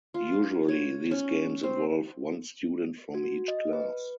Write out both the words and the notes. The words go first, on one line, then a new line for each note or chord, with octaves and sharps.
Usually these games involve one student from each class.
F4
C#5
C#4
C4
F#4
D#5
B4